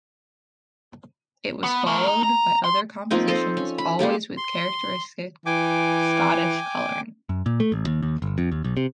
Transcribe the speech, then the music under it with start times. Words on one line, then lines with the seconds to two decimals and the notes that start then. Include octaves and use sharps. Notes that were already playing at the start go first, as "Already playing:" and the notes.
It was followed by other compositions, always with a characteristic Scottish colouring.
1.64 B3
1.86 A3 A#4
2.07 D#4
2.23 A#5
2.64 C6
3.11 F3 A#3 C4 D#4
3.28 A4 C5 D#5
3.57 C#4
3.78 B5
3.99 G#3 A#3 G4 A4
4.37 C6
5.46 E3 G5 G#5 D6
7.29 F#2
7.46 A#2
7.60 A3
7.72 A1
7.87 D#2
8.03 D#2
8.22 G1
8.38 F2
8.52 D#2
8.64 B1
8.77 C3